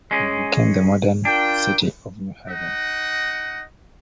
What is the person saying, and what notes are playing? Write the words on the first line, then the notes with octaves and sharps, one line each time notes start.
It became the modern city of New Haven.
G#3 C#4
D4 F4 A#4 G5
D#4 D#5 F#5